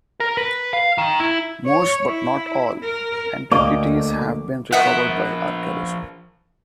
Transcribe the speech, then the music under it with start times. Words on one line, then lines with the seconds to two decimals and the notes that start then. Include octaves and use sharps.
Most, but not all, antiquities have been recovered by archaeology.
0.20 A#4
0.37 B4
0.73 F5
0.98 D#3
1.19 E4
1.65 C#5
2.05 E4
2.83 A#4
3.51 D2 A#3 D#5 D6
4.72 F3 B3 A#4 E5 F#5